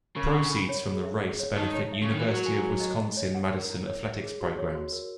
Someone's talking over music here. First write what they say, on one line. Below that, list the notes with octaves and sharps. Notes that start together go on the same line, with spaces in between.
Proceeds from the race benefit University of Wisconsin-Madison athletics programs.
C#3 A#4
F#5
B5
C#5
G#4
E5
G#4
C#5
D#3 D#4
C#5
E5
C#3
D#3 A#4
E3
F#3 A#4
G#5
C#6
D#5
E4
C#5
F#5
A#4
E4
C#5
E5
G#4
F#4
C#5
F#4
A#4